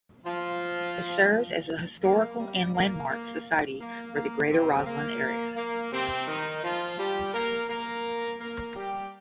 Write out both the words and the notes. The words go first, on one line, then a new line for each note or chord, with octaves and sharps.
It serves as the historical and landmark society for the Greater Roslyn area.
F3 F4
A#3
G3
A#3
A#3
A#3
A#3
C3 C4
A#3
A#3
C3 C4
D#3 D#4
F3 F4
G3 G4
A#3 A#4
A#3 A#4
A#3 A#4
G3 G4